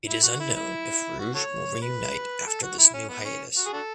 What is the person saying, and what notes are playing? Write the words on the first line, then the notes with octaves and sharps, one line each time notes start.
It is unknown if Rouge will reunite after this new hiatus.
E4
F#4
E4
E4
F#4
F#4 A4 C#5
B4
A4
F#4
E4
C#4
B3
C#4
F#4
G#4
D4 F#4 A4